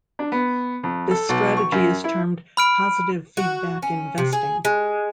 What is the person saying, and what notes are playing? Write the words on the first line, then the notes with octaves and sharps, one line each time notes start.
This strategy is termed positive feedback investing.
D4
B3
F2
A4
B1
C#6
F#2
E4
B5 F6 D7
F#4
C#4
C3
G#4
G#3